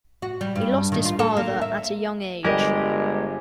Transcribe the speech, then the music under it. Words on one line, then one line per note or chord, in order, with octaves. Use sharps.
He lost his father at a young age.
F#4
G3
G2
D#3
F4
A4
A#3
E5
G1 G3 G#3 G4 A#4 D#5